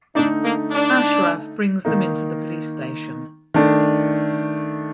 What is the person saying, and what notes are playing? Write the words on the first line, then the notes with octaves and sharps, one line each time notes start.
Ashraf brings them into the police station.
D3 A3 D4 D#4
A#3
D4
D#3 A#3 D#4
D#3 A3 D4